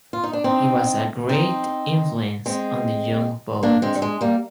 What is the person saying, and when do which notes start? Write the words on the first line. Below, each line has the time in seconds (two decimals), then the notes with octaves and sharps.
He was a great influence on the young poet.
0.13 F4
0.24 D#4
0.33 D4
0.44 C4 D#4
1.29 C4 D#4
2.46 G#3 C4
3.63 A#3 D4
3.82 G#3 C4
3.95 G3
4.02 G#3
4.21 G3 A#3